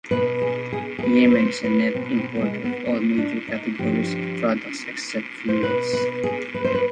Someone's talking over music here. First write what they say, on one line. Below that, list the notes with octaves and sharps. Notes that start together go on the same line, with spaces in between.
Yemen is a net importer of all major categories of products except fuels.
B2 B4
G#4
G#4
G#4
B4
B4
C5
B4
B2 C4
C4
B3
G#3
B3
C4
D4
D#4
G2 F3 G4
C5
B2 B4
B4
G#4
B4
C5
B4